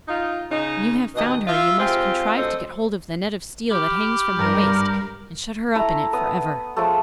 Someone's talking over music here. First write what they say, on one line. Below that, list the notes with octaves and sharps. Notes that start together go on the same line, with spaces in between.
When you have found her you must contrive to get hold of the net of steel that hangs from her waist, and shut her up in it for ever.'
D#4 F4
C#3 D#4
D#2 B2 D#5
F4 E5
G#3 C4 F4 G4
D2 C4 A4 D#5
G4 B5 D6 F6
G2 A#4
A3 E4 A#5
B3 D#6
F3 G#3 A3